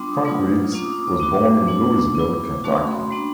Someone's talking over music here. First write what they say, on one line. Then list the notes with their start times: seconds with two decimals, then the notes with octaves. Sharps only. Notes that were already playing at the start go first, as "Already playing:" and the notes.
Frank Riggs was born in Louisville, Kentucky.
Already playing: G3 B3 D4 F4 C6 D6
0.09 D#6
0.25 F#3 A3 D4 F4
0.72 A#3 C#4 F4 D6
0.84 D#6
0.96 D6
1.08 D6
1.19 B3 D#4 F#4 D6
1.67 A3 D4 F4
2.15 B3 E4
2.64 A3 C#4 F#4 C#6
2.75 C6
2.87 B5
3.00 C6
3.11 G3 A#3 D4 C#6